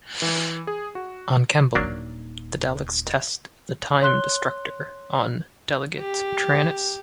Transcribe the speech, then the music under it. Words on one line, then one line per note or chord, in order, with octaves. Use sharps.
On Kembel, the Daleks test the Time Destructor on delegate Trantis.
E3
G#4
F#4
D#1 F#3 A#3 D4 D#4
C#5 C6 F#6 G7
G4